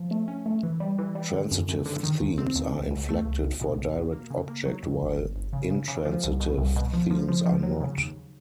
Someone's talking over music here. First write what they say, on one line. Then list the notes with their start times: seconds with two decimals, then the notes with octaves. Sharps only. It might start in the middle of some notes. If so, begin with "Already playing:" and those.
Transitive themes are inflected for direct object, while intransitive themes are not.
Already playing: F3
0.11 A3
0.28 C#4
0.46 A3
0.63 E3
0.80 G3
0.98 E3
1.15 G3
1.33 D3
1.51 F#2
1.68 F#2
1.86 D3
2.03 D#3
2.21 D#2
2.38 C4
2.55 D#2
2.74 C#2
2.91 C#2
3.09 A3
3.25 C#2
3.43 B1
3.61 B2
3.78 B1
3.96 B2
4.13 A#3
4.31 C#3
4.48 A#3
4.66 F#3
4.83 F2
5.01 G1
5.18 G1
5.36 G1
5.53 C#3
5.70 C#3
5.88 C#3
6.05 F3
6.24 C2
6.40 B2
6.58 C2
6.76 B2
6.93 F3
7.10 F3
7.29 F3
7.46 F3
7.63 F#3
7.80 C#3
7.98 D#2